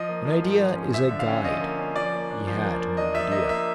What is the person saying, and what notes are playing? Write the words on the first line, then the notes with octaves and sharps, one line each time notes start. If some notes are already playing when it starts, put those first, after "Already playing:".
An idea is a guide; he had no idea.
Already playing: F3 D#5
A#3
F3
G#2
F3
C#4
F3 E5
D3
F5
C#4
F3 D#5
A#3
C#4
F3 D5
A#3
D4
F3
A#3
A#3
D4 D#5
F3 E5
A#3 D#5
A#3 E5